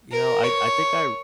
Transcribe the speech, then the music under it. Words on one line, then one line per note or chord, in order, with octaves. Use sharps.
you know, I I think I r
A#4
C#5